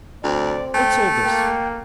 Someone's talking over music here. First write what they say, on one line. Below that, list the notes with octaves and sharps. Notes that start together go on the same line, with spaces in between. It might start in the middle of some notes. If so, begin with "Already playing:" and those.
'What's all this?
D2 C4 D5
A3 G5
A#3 G5